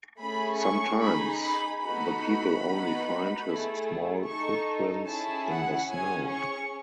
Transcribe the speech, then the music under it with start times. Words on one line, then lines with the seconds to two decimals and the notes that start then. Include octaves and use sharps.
Sometimes the people only find his small footprints in the snow.
0.19 A3 C#4 G#4 B5
0.60 C#6
1.01 D#4 G#4 B5
1.42 B5
1.82 B3 D#4 F#4 A4 B5
2.64 B3 D#4 F#4
3.45 A3 E4 G#4
4.26 D#4 A4 C#6
5.08 C#4 E4 G#4 A5
5.49 F#5
5.90 C#4 G#4 G#5
6.30 C#6